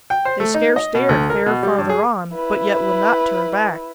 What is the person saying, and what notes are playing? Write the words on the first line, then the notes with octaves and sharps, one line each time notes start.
They scarce dared fare farther on, but yet would not turn back.
G5
C5
A3
D#4
D#5
B2
D2
A#4
B2
G3
G2
G#4
E4 B4